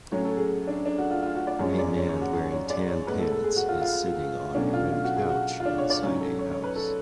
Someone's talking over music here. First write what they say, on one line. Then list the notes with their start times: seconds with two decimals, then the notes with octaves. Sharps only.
A man wearing tan pants is sitting on a red couch inside a house.
0.12 A2 F#3 C#4 C#5
0.25 A4
0.37 G#4
0.68 D4
0.86 D4
0.98 F#4
1.11 F4
1.23 F4
1.35 F#4
1.47 D5
1.59 F#2 F3 G#3 C#4 C#5
1.78 D5
1.96 C#5
2.09 C#5
2.21 F#4
2.34 G#4
2.51 C#5
2.70 D5
2.88 C#5
3.07 A2 G#3 B3 B4
3.20 A4
3.32 A4
3.44 G#4
3.56 F#4
3.68 F4
3.82 F4
4.55 B2 F#3 A3 C#4 D4
4.74 F4
4.92 F4
5.04 F#4
5.17 G#4
5.29 F#4
5.60 F4
5.66 D4
5.78 C#5
5.90 D5
6.03 G#2 F#3 C#4 C#5
6.21 A4
6.39 C#5
6.52 C#5
6.64 B4
6.76 A4